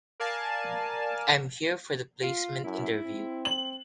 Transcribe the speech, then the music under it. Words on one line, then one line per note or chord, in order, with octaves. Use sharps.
I'm here for the placement interview.
A#4 D5 F5 G#5 A5
F4
F#2 E4
C4
F#7